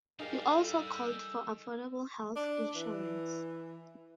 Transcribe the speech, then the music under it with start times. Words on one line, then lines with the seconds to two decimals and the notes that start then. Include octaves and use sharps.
He also called for affordable health insurance.
0.19 G3 D#4 G4 G#4 A#4 F5
0.61 A4 E6
2.36 D4
2.75 E3